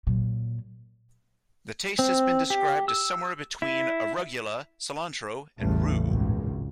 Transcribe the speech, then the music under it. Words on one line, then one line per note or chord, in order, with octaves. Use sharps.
The taste has been described as somewhere between arugula, cilantro and rue.
A#2 F#3
C4
G4
E6
E4
A1 E2 A2 C#3 G3 A3
G#1 C#2 F#2 A#2